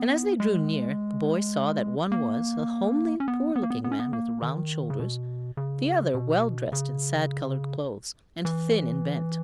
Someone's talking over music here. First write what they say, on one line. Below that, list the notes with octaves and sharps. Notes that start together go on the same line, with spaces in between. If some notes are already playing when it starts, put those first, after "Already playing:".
And as they drew near the boy saw that one was, a homely poor-looking man with round shoulders, the other, well dressed in sad-colored clothes, and thin and bent.
Already playing: B3
G#3
A#3
C#4
B3
B3
A#3
B3
B3
C#4
B3
A#3
D#3
C#3
B2
C#3
B2
C#3
E3